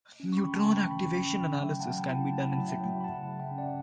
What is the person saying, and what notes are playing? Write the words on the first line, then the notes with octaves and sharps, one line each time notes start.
Neutron activation analysis can be done in situ.
C#4
C#6
G5 B5
C#3
A5 C#6
A3
G5 B5
E3 B5
C#6
C#4 G5 B5
C#3
F#3 E5 G5
F#5 A5
F#3
G5 B5
E4
F#5 A5
A3 A5
B5
F#5 A5
F#3
E5 G5
F#3
B5
C#3 F#5 A5
C#3
E5 G5
C#4
D5 F#5